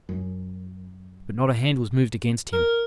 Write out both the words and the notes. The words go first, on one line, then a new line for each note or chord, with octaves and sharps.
But not a hand was moved against him.
F#2
A#4